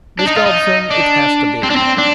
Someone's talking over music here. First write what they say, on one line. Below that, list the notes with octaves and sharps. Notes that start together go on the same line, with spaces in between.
Miss Dobson, it has to be.
D4
D#4
F4
D#4
D4
C4
D4
C4
D4